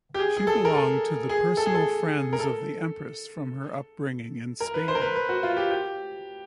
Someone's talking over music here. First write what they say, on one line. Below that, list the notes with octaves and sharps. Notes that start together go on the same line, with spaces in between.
She belonged to the personal friends of the empress from her upbringing in Spain.
G4
G#4
G#4
A4
A#4
A4
G#4
A4
G#4
A4
A#4
A4
A#4
B4
C5
A#4
B4
B4
F#4
F4
G4
G4